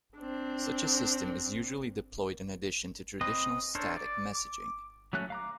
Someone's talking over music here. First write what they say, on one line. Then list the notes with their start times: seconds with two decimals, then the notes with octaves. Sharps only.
Such a system is usually deployed in addition to traditional static messaging.
0.18 C4 D4
3.21 C4 B4 D#5
3.75 D4 A4 A#4 C5 C#5
3.97 D5
4.35 D6
5.13 F#3 A3 C#4 F#6
5.30 F5 A#5 D6